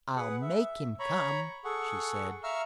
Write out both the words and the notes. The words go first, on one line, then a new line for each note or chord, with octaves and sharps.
"I'll make him come," she said.
G#4 B4 F#5
E5
C#5 A#5 B5 C#6
G#4 A4 F#5 C#6
E5 F5 A#5 C#6 E6 F6